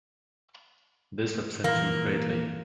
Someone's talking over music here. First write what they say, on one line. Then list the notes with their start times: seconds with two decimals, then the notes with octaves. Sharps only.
This upsets him greatly.
1.64 A#2 E3 A#3